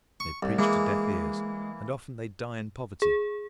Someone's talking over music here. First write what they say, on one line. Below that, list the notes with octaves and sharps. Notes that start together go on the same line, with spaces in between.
They preach to deaf ears. And often they die in poverty.
C#6
C2
E3 G#3 A#3
G#4